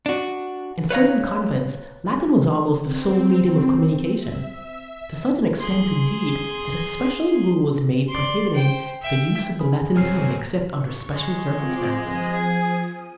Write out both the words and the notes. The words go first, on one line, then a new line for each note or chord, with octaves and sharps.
In certain convents Latin was almost the sole medium of communication,--to such an extent, indeed, that a special rule was made prohibiting "the use of the Latin tongue except under special circumstances."
D4 F#4
B4 C#5 F5 A#5
C4
E5
G#4 C6
D5 C6
C5 G5
E5 G5
G#4 B5
F#2 C3 G#3 C#5 F6 C7
C#6
G#3
C4 F4 D6
F3 G#5 D#6
G#4